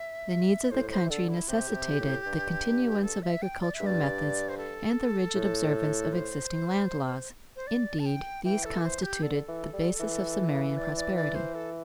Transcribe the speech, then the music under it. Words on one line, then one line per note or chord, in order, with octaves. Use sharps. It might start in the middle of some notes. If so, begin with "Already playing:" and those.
The needs of the country necessitated the continuance of agricultural methods and the rigid observance of existing land laws; indeed, these constituted the basis of Sumerian prosperity.
Already playing: E5
A2 C5
C5
E3
D3 A4
E4
C3 G4
A2
C3
A2
G2
A4
E5
G5
D5
E5
G2
D5
C5
A4
A2
C5
C5
D5
A5
G5
E3 G5
A4
C5
G4
D3 A4
E3
G3
E3
D5
D5
D5
C5
A4